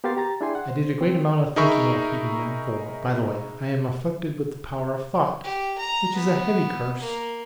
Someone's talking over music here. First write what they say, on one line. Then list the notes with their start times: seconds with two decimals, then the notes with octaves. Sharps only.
I did a great amount of thinking while feeding them--for, by the way, I am afflicted with the power of thought, which is a heavy curse.
0.04 B3 G4 A#4 F5 C6 A6
0.17 G4 A#5 A6
0.41 D4 E4 G#4 G5 G#5 C6
0.55 F#5
0.70 C5
1.01 C4
1.56 D#4 G#4 A#4 E5 B5 C#6
5.43 G4
5.78 A#5
6.16 B3
7.01 A#3